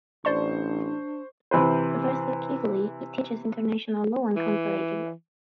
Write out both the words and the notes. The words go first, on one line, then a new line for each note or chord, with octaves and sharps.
Professor Quigley teaches international law and comparative law.
A1 D4 C5 D5 A5 C6 C#6
C3 E3 B4 C5
E3